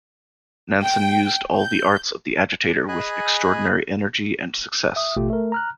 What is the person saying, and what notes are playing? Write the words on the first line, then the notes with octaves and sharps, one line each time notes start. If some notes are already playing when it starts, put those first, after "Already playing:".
Nansen used all the arts of the agitator with extraordinary energy and success.
G5
G6
G#4 D#5 G#5 B5 F#6
E5 D#6
A1 B2 A3 F4 G4
A3 A#4
A#5 F6 F#6